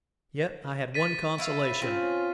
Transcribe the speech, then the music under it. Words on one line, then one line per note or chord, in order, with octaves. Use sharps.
Yet I had one consolation.
A6 B6 D#7
E4 B4 F5
C4 C#4 F4